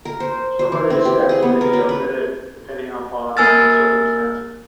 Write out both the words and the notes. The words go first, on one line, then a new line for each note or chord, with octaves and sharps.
Some of these steps may be omitted, depending upon the circumstances.
A#4
C5
C5
E3
C4
G4
G#4
B3
A#4
C#4
B4
A#3 A#4 G#5 E6 F6 A6